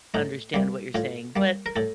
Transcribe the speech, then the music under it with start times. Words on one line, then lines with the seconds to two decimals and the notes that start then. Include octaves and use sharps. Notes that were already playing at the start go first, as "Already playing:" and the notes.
understand what you're saying, but
0.14 A2 D#4
0.54 G3 A#3
0.95 A2 F4
1.36 G3 A#3
1.66 A#4
1.76 A2 A4